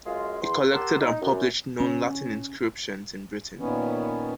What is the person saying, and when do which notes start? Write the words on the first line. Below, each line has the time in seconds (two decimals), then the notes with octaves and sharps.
He collected and published known Latin inscriptions in Britain.
0.05 F#2 G#3 F4
0.41 E2 C6
0.72 G4 A#4 F#5 A5 C6 E6
1.00 D#4
1.22 F#2
1.80 C#4
3.59 A#2 D#3 B3 C#4